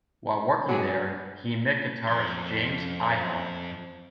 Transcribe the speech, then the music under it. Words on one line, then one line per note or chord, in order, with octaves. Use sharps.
While working there, he met guitarist James Iha.
F#3 G#3 G4 G#4
F2 C6